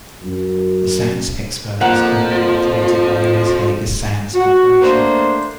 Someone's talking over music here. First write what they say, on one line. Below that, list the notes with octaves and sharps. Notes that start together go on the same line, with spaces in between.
The Sands Expo is owned and operated by the Las Vegas Sands Corporation.
F#2
F2 F3 A#3 F#5
F#4
A3 A#3 D4 C5